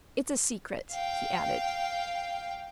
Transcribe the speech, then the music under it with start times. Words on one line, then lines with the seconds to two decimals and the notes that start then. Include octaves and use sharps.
"It's a secret," he added.
0.90 F5 G5